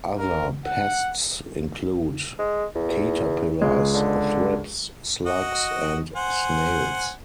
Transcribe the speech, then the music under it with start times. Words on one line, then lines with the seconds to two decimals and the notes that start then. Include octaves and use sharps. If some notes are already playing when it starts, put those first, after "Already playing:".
Other pests include caterpillars, thrips, slugs and snails.
0.18 A#4
0.65 F#5
2.39 G#3
2.75 E2
3.62 C#2 G#3
3.94 D3
5.26 F#4 D#5 F#5
6.16 C5 F#5 G#5